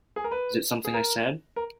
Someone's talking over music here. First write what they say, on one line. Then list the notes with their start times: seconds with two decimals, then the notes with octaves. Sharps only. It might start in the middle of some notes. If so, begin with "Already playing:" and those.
Is it something I said?
0.16 G#4
0.24 A#4
0.31 B4
0.85 G#4
0.94 A#4
1.56 A#4